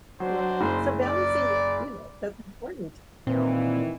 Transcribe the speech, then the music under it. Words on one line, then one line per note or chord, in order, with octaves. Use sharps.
Right. So, balancing, you know, that's important.
F#3 D4 C5
F#1
D5
A#2 D#3 E3 C4